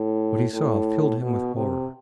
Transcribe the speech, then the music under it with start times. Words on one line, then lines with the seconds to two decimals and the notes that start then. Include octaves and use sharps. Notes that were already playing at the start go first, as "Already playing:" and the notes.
What he saw filled him with horror.
Already playing: A2
0.54 A2
1.21 B2
1.56 C3